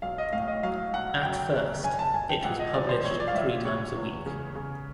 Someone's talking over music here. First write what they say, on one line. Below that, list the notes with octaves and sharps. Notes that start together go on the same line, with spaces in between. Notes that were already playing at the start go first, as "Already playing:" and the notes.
At first, it was published three times a week.
B1 F5
D#5
A2 F5
D#5
F#3 F5
B1 F#5
F#2 G5
C#3
F#1 G#5
A5
F#1 G#5
G5
A#1 F#5
D#5
E3 D5
C5
A#1 C#5
D5
F5
A#1 E5
C#3 C#5
E2
C#3
C#3